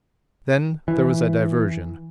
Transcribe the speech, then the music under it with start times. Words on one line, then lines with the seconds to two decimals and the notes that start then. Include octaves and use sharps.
Then there was a diversion.
0.88 E3